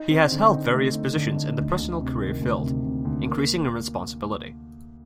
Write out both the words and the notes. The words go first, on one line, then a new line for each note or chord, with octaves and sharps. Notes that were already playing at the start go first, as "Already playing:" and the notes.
He has held various positions in the personnel career field, increasing in responsibility.
Already playing: D#4
C4
D3
D#4
A3
D#4
D3
D#4
D2
D2
C3
D#3
D2
C3
C3
D2
A#3